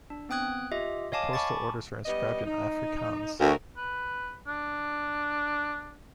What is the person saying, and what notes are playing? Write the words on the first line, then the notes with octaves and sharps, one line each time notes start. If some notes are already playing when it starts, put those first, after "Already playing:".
The postal orders are inscribed in Afrikaans.
D4
B3 C4 G5 D#6 F#6 G#6
F4 G4 D#5 E5
C#5 D#5 F5 G#5 A5 D6
G#5 A5 B5 C#6 D6 A6
G3 B3 D#5
D#4
D2 F#4 A#4
B4
D4